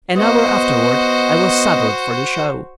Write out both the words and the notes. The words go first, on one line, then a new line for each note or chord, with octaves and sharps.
An hour afterward I was saddled for the show.
B3 F#4 C5 D#5